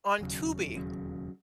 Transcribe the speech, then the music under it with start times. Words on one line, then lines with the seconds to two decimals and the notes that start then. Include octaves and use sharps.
on Tubi
0.19 E1 D#2 C#3 F#3
0.75 E1 D#2 C#3 F#3